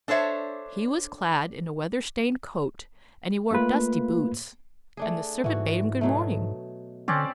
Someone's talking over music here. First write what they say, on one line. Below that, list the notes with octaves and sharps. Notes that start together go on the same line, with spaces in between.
He was clad in a weather-stained coat, and he wore dusty boots, and the servant bade him good-morning.
D4 A4 C5 C#5 E5
A3 A#3 F4 B4
A3 D4 G#4
G#2 E3 F#4
B2 F#3 A3
D3 C4 C#4 D5